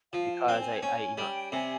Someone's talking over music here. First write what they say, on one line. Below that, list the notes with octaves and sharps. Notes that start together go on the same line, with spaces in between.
because I I you know,
F3 F5
G5
C4
G#5
C#4 G#5
G3 G5
C3 G#5